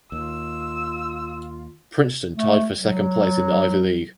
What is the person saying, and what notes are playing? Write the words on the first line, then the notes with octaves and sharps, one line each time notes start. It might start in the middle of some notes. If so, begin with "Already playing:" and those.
Princeton tied for second place in the Ivy League.
D#2 F4 E6
A3
F#3